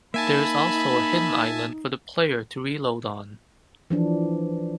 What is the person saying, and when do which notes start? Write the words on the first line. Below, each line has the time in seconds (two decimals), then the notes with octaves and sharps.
There is also a hidden island for the player to reload on.
0.14 A#3 D#4 E5 G#5 A5 B5
3.90 E3 F3 D4